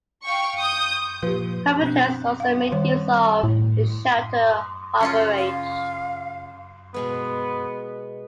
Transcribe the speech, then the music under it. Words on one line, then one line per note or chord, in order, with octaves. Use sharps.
Privateers also made use of the sheltered harbourage.
F5 G5 C#6
D#6 G6
A#2 F3 G4 B4
B2 C4 D4 F#6
F5 F#5
D#3 G3 C#5
A2
C#3 C#4 F4
F5
B2 G#3 B3 B4